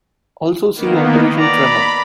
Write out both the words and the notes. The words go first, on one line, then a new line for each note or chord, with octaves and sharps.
Also see Operation Tremor.
D#3 A#3 B3
D5 A#5 B5